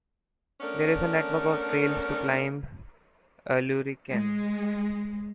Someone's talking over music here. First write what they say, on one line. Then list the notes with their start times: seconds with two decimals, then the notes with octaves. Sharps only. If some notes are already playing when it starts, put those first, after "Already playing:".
There is a network of trails to climb Ulriken.
0.61 A3 B3 C#4 D4 A#4
4.12 G#3